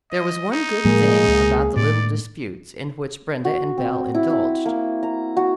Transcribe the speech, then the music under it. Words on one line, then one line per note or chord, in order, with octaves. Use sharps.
There was one good thing about the little disputes in which Brenda and Belle indulged.
D#5
D#4
A2 F3 G3 G#3 A#3 G#4
C#2
A2 D5
F#4
C4
E4
E4
A#3
A#5
F#4